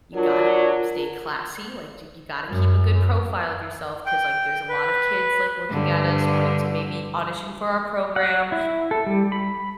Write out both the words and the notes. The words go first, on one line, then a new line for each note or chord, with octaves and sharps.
you gotta stay classy," like, "you you gotta keep a good profile of yourself 'cause," like, "there's a lot of kids," like, "looking at us wanting to maybe audition for our program,
F#3 D4 F4 A#4
F#2
G5
B4
G2 D3
F#5
E4
A4
G3
B5